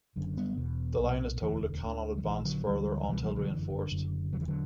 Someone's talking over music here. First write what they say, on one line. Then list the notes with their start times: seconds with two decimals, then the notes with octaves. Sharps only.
The line is told it cannot advance further until reinforced.
0.16 F#1 F#2 D3
0.37 G3 B3
0.57 E1 E2 B2
0.99 B1 A#2
1.41 E1 D2 D3 E3
1.84 D2 D3
2.18 F#3
2.24 A#1 A#2 E3
2.45 D3 F#3
2.66 D2 D3 E3 G3
3.01 F#3
3.08 C#2 B2 E3 G3
3.21 E3 G3
3.36 D3 F#3
3.49 G1 F#2 D3 E3
3.70 D3
3.92 F#1 F#2 D3
4.33 E1 E2 C#3 F#3
4.41 E3
4.48 D3 F#3